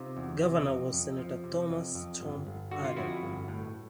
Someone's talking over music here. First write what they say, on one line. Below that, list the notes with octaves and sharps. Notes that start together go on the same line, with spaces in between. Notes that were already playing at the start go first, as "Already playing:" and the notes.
Governor was Senator Thomas "Tom" Ada.
Already playing: C3 D#4 F4
E2
C3
F2
F2
F3
C3
F2
F2
G1
G1
D3 F#4
F4
F2 E4 F#4
G1
A2